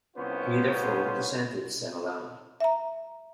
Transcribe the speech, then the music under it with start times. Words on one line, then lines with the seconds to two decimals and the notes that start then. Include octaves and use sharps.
He therefore resented Sima Lun.
0.17 C2 B3 C#4 F4 C5
2.60 E5 A#5